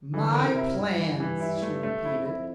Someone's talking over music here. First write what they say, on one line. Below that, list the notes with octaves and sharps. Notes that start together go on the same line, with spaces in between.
"My plans," she repeated.
D3 E3
A#4
C3
E4
G2 E4
E3
G2
E3
E4
A3
A3
F2 E4
E4